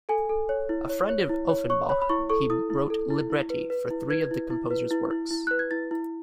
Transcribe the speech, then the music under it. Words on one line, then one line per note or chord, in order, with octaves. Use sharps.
A friend of Offenbach, he wrote libretti for three of the composer's works.
A4 G#5
A4
C#5
E4
C#5
C#5
E4
C#5
C#5 C#6
C#5 B5
B5
E4 C#6
A4 C#6
E4 D#6
E4
A4
E4
E4
B4
B4
E4
B4 G#6
E4
E4
B4
E4
E4
E4
B4 F#6
G#6
E4 A6
E4